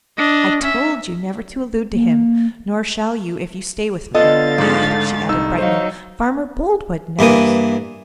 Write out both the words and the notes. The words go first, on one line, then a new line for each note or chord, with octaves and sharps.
"I told you never to allude to him, nor shall you if you stay with me. Ah!" she added, brightening, "Farmer Boldwood knows!"
D4 D#5
C#4 E5
A#3
D3 B3 F4 A4 D#5 F5 A6
G#2 F3 G#3 A4
A3
C2 D#4 E6
F#3 D#4 C5 F5
G2 E3 A#3 D#6